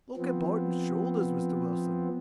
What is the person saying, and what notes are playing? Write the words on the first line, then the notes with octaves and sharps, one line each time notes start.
"Look at Barton's shoulders, Mr. Wilson."
F3 B3 C4